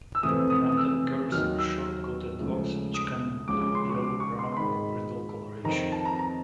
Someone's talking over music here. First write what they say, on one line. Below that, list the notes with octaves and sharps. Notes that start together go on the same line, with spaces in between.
Mountain Curs are short-coated dogs which come in blue, yellow, brown, or brindle coloration.
E6
F2 C3 E3 A3 D#6
D#6
D#6
E6
D#2 D#3 F#3 F6
E6
C#2 C#3 F3 A3
D#6
C#2 C#3 F3 D6
D6
C6
C#6
D6
C#6
C6
C6
G#2 D#3 G#3 B5
F2 C3 D#3 A#5
A5
A#5
A#5